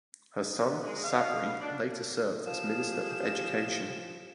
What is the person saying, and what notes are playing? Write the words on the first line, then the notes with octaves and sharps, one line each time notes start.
Her son Sabri later served as Minister of Education.
B3
G#3
F5
D4
F3 G4 G#4 F5 E7